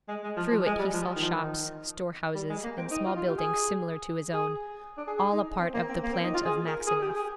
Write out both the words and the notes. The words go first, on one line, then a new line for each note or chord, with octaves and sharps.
Through it he saw shops, store-houses, and small buildings similar to his own, all a part of the plant of Maxineff.
G#3
G#3
F3
F3
G#3
G3
F3
D#3
F3
D#3
G3
G#3
A#3
C4
D#4
F4
F4
G4
G#4
G#4
D4
G#4
G#4
D#4
C4
A#3
C4
A#3
C4
D#4
F4
G#4
A#4
G#4
G4
G#4